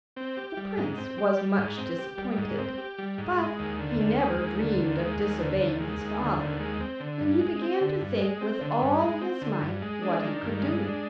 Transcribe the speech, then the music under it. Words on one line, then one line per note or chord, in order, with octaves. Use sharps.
The prince was much disappointed, but he never dreamed of disobeying his father, and he began to think with all his might what he could do.
C4
G4
G3
G#2
C4
G4
G3
G#2
C4
G4
G3
G#2
C4
G4
G3
G#2
G#3
D#2
D3
D#2
G#3
D#2
D3
D#2
G#3
D#2
D3
D#2
G#3
D#2
D3
D#2
G#3
C4
D3
G2
G#3
C4
D3
G2
G#3
C4
D3
G2
G#3
C4
D3
G2
G#3
D4
D#3
G2
G#3
D4